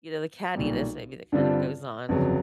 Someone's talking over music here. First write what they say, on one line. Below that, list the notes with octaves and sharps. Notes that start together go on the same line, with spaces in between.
you know, the cattiness, maybe, that kind of goes on.
B1 A#2 G3
G2 D3 G3 C4 F4
G1 F2 C#3 F#3